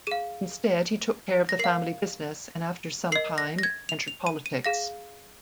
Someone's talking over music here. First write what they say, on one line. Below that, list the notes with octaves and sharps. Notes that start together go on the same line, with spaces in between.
Instead, he took care of the family business and after some time, entered politics.
G#4 F5 D#7
A#6
A#4 F5 C7
A#4 D#5 C7
A#6
A#6
G#6
F7
F7
D#7
D#7
G#4 F5 A#6